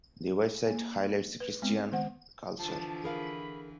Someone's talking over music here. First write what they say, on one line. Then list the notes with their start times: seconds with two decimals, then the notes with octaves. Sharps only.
The website highlights Christian culture.
0.67 A#3
1.40 B4
1.62 G#3 B3 C4
1.92 D#3 B3 C5 F#5
2.59 D3 E3 F3 A5
3.04 G#4 A#4 F5 B5